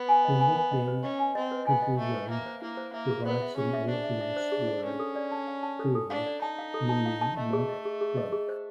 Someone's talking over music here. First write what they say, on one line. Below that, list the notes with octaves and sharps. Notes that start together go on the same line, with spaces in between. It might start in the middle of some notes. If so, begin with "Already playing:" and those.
The nickname Kuvlung derives from Old Norse word "kuvl" meaning monk cloak.
Already playing: B3
G#5
D#5
G#5
G#5
D#5
B4
C#4 D#5
G#5
C4 D#5
B4
B3 G#5
D#5
A3 D#5
B4
A#3 E5
C5
A#3 E4
C5
A#3 E5
G#4
B3 C5
E5
C#4 G#4
E5
D4 C5
E5
E5
C5
G#4
C5
C#4 A4
A4
D5
A5
F5
A5
A4
A4
D4 F5
D5
D#4 A5
F5
A4
A5
F5
A5
A3 D#5
G#4
D#5
G#4
G#4
D#5
G#4
C5